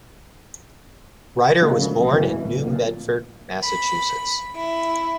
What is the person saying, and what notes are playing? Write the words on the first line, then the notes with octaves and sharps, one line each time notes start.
Ryder was born in New Bedford, Massachusetts.
C#3 F3 G#3 A#3
D2 C#3
A#1
A1 F#2 B2 E3
D1
D1 A#2
B5
E4